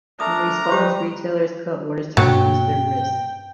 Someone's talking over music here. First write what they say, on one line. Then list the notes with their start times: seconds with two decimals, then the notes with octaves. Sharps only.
In response, retailers cut orders to reduce their risk.
0.20 A3 D4 A#4 A#5 D#6
0.69 G3 D#4 G4 B4 C5
2.17 G2 B2 F#3 A#3 G5